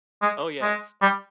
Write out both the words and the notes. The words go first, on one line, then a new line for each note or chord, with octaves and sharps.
Oh, yes."
G#3
G#3
G3